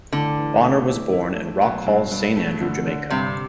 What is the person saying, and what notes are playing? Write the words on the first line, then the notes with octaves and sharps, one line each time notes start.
Bonner was born in Rock Hall, Saint Andrew, Jamaica.
A2 D3
E3
A3
E4
E4
A3
B2 F#3
G2
G2
A3
D3
D3
G2 C3